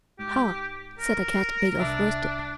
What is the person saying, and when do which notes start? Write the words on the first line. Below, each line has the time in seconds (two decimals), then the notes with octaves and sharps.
"Ha!" said the Cat-made-of-worsted.
0.19 G#2 G4
0.99 A#4
1.79 C2 D4 E5